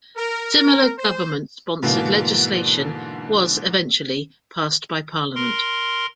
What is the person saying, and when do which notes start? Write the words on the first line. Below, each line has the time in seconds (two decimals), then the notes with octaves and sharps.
Similar government sponsored legislation was eventually passed by Parliament.
0.16 A#4
0.55 A#4
0.98 C5
1.83 G#2 B2 D3 E3 A#3
5.35 A#4 C6